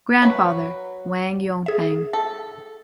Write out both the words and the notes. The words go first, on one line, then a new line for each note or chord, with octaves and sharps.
Grandfather — Wang Yongfang.
F#3 B4
G#4 E5
A4